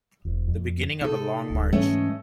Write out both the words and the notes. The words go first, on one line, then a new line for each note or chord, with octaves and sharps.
The beginning of a long march.
E1
F2
C3 D#4 A4
D1 G1
G#2 E3 A3 C#4 D#5